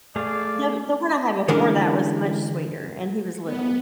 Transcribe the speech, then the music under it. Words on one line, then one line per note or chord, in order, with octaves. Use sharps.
The the one I had before that was much sweeter, and he was little.
A3 G#4 D5 F5
D3 E3 G#3 C#4 D4 A#4
B3